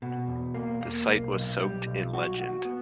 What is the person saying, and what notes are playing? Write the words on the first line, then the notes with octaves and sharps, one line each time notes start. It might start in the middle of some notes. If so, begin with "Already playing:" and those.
The site was soaked in legend.
B2
E2
A#3
A#3
B1
B1
G3
B1
F#4
F#4
B3